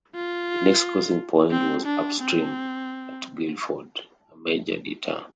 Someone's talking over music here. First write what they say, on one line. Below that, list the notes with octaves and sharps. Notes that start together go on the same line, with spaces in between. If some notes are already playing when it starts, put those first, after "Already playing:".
The next crossing point was upstream at Guildford, a major detour.
F4
C4
D4
C4